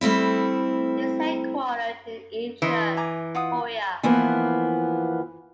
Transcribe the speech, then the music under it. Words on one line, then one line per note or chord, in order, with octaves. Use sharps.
It is headquartered in Incheon, Korea.
G3 A3 C4 E4
E3 E4 D#5 C6
G#5 A#5 D6
F4 F#5 D#6
E3 F3 A#3 B3